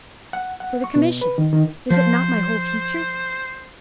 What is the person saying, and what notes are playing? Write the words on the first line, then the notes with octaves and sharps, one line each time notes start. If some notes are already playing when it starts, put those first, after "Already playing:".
"For the commission; is it not my whole future?"
F#5
F#5
C#6
B2
B4
D#3
D#3
F3 C5